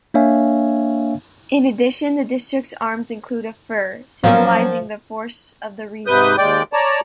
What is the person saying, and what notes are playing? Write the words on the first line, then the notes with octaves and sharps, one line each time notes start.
In addition the district's arms include a fir, symbolising the forests of the region.
A#3 D4 C#5 E5 F5 G#5
F3 F#3 A#3 C#4
G#2 C3 B4 D#6 G6
D#2 G#3 D5 G5 D6
C#5 D5 A5 A#5